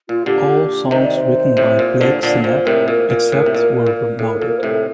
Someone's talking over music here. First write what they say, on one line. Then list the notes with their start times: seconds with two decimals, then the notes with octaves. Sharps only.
All songs written by Blake Sennett, except where noted.
0.09 A#2 F4
0.26 A#2 D3 G4
0.91 C3 D#3 C5
1.04 D5
1.17 C5
1.57 A2 C3
1.79 A#2
2.01 A#2 D3
2.23 A#2 D3 D5
2.44 A#2 C5
2.66 A2 C3 A#4
2.88 A#2 A#4
3.10 A#2
3.32 A2
3.46 C3
3.55 A#2
3.87 A#2
4.19 A2 A4
4.29 A#4
4.39 A#2 A4
4.48 A#4
4.58 C5
4.63 A2 C3 A4